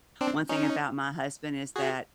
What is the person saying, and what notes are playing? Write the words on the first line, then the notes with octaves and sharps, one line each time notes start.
one thing about my husband is that,
C4 D4
C#4 D#4
F#4 G#4